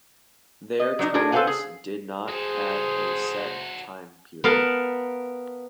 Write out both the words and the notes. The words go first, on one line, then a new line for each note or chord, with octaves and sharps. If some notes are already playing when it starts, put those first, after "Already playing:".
Their terms did not have a set time period.
D#5
F#3 D4 D#4
D4 F#4 G#4 A#4
A4 B4 C5 F5 F#5 G#5
G#4
F#4 G#4 A4 C5
B3 A#4 F5 A5